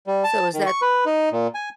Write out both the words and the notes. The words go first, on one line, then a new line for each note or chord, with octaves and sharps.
So is that
G3
A5
D#3
C#6
B4
D#4
A#2
G#5